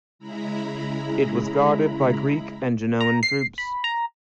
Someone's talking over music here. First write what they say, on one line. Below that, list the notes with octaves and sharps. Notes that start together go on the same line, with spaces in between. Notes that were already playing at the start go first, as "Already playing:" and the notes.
It was guarded by Greek and Genoan troops.
C#3 G#3 E4 A#5 B5
A#5
C7
B5
A#5